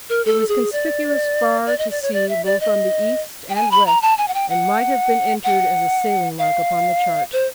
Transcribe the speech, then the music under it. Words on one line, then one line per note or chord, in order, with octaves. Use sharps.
It was conspicuous far to sea both on the east and west and might have been entered as a sailing mark upon the chart.
A#4
A4
G#4
D5
D5
D#5
D5
C#5
D5
E5
D5
D#5
G5
G#5
B5
A#5
A5
G#5
F#5
G5
F#5
F#5
F5
C5